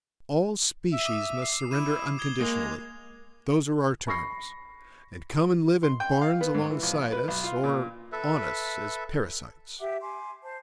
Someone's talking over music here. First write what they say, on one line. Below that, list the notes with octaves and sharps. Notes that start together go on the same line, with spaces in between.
All species must surrender unconditionally--those are our terms--and come and live in barns alongside us; or on us, as parasites.
E5
D6 D#6 D#7
C7
E4 D6 D#7 E7
D#6 G#6 G7
G#3 A#3 D#6 F7
B5 C#6 A#6 C7
C6
G5
F5
B3
G#2
E3
A#1
B4
B1
F4
A#2
A4 B4 E5
G4 E5 F#5 D6
G#5 C6 D6
C5 A5